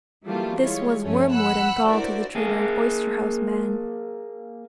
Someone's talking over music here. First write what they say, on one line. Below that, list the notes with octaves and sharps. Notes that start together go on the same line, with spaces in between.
This was wormwood and gall to the trader and oyster-house man.
E3 F#3 G3 A3 A#3 F4
G3 G#3 E4 F4 C#5
G2 F3 A3 C#4 C#5
F#5 B5 E6 F#6
D4 E4 F#4 A#4 C5 D5
A#3 G#4